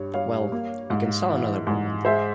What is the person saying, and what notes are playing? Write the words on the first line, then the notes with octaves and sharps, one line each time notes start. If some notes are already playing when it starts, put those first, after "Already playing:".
Well, we can sell another bond.
Already playing: G2 C#5
G3 C#5 F5
A#3
G#2
E3
G#2
G#3 C5 E5